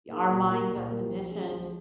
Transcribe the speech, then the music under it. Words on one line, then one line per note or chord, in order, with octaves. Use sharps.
Our minds are conditioned
A#3 D#4 G#4
A#2
G3 A#3
A#2
G3 A#3
F3
G#3 C#4 G#4
F3